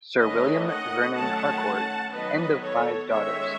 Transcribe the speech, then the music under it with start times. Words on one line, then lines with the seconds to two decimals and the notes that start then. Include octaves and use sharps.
Sir William Vernon Harcourt, and of five daughters.
0.18 D#3 A3 C#4 B4 D#5
0.66 D#5 F#5
1.15 D#3 F#3 A3 C#4 F#5 A5
2.12 D#3 F#3 B3 B4 D#5
2.61 A4 C#5
3.10 D#3 G#3 C#4 C#5 E5